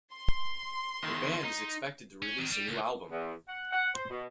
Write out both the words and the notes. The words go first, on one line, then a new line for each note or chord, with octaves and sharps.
The band is expected to release a new album.
C6
E2 D#3
D#4
C#4
E2 D#3
G3
C#2
E2
F#5
F#5
C5
B2